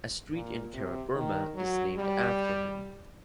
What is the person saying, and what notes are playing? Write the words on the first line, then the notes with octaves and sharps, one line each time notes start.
A street in Karaburma is named after him.
A#2
C3
D#3
F#3
G3